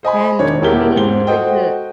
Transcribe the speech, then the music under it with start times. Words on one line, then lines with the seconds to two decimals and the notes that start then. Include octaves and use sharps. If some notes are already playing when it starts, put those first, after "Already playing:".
And, I mean, even with, like, the
0.03 C5 D#5 G#5 B5
0.39 E1 D#3 G#3 D4 C#5
0.61 E1 E2 E4 G4 A#4 G7
0.96 G#2 C5 G7
1.27 F#4 A4 C5 D#5 G5